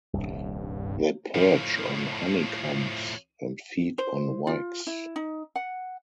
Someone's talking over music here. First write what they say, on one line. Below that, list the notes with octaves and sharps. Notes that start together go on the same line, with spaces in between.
They perch on honeycombs and feed on wax.
D#1 C2 G2
A2 F3
C5
F4
E4
D#4
F#5